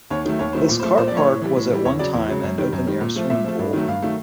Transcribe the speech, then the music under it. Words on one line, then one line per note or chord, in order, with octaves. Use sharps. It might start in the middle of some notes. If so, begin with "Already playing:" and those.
This car park was at one time an open-air swimming pool.
D#2 C#5
D#3 F#3 A3
D#2 C#5
D#3 F#3 A3 C5
A#2
C5
F3 A3
A#2 C5
D5
F3 A3 C#5
A2
E3 G3
A2
E3 G3
E2 C#5
C#3 F#3 D5
E2
C#3 F#3
F#2
D#3 G3
F#2
D#3 G3
A#2
F3 A3
A#2 E5
F3 A3
G2
D#3 F#3 A3
G2 F5
D#3 F#3 A3